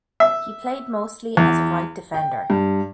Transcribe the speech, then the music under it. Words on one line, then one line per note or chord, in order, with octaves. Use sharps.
He played mostly as a right defender.
E5
E2
G5
G2